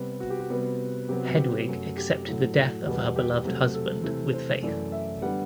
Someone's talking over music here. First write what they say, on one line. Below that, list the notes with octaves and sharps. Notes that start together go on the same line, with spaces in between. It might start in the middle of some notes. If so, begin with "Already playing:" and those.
Hedwig accepted the death of her beloved husband with faith.
Already playing: C3 G3 B3
F#4
G4
F#4
C3 G3 B3
C3 F#3 B3 G4
F#4
G4
F#2 F#3 A3
G4
A2 F#3 A3
F#4
E2 B2 G3 B3
G4
C3 F#3 A3
A4
C3 E3 A3
C5
F#2 E3 A3 D5
E5
D3 G3 B3 F#5